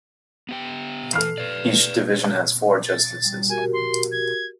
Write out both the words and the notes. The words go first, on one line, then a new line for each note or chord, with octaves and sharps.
Each division has four justices.
B3 G4 G5
E3 A4 F6 C7
B4 D5
A6
G3
F#4 G4 A#4 G#5
C6
G#6